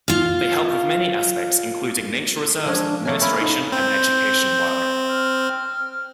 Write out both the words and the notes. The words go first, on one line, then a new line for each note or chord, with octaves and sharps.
They help with many aspects including nature reserves, administration and education work.
F4 F5
F3 G#3 C#4 D4
A3 A#3 C#5 G#5
C#4 E4 F4 B5
D#4
C4 G6
F6